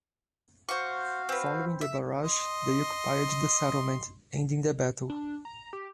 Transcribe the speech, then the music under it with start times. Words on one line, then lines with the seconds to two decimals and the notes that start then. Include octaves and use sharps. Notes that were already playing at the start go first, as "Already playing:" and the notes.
Following the barrage, they occupied the settlement, ending the battle.
0.69 F#4 C5 F5 C#6
1.29 C4 B4
1.81 E5
2.23 D#5 C6
5.10 D4
5.45 A#5
5.73 G4